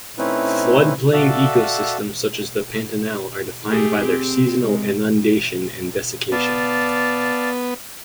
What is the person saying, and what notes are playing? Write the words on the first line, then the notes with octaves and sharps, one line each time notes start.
Floodplain ecosystems such as the Pantanal are defined by their seasonal inundation and desiccation.
A3 C4 C#4 D#4 E4 B4
F#4 A4 D5 E5 F5
A3 G4 G#4
C4
C3 G#3
B3 D5 F5 A5